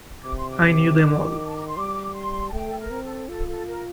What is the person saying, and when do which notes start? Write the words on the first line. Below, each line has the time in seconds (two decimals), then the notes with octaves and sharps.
I knew them all.
0.24 C3 D6
0.36 C6
0.49 D6
1.01 D#3
1.46 A5
1.56 A#5
1.67 C6
1.76 G3 D6
2.14 C6
2.48 A5
2.53 A3 G5
2.66 A4
2.78 A#4
2.90 C4
3.04 A4
3.28 F4 A4
3.48 A4
3.66 A#4